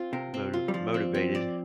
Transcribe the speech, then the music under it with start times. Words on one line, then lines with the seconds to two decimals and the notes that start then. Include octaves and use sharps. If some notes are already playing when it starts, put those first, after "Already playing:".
moti motivated.
Already playing: C4 F4
0.13 C3 A#4
0.34 C4
0.54 F4
0.68 G3
0.74 F3 D5
0.94 C4
1.14 C4
1.35 D5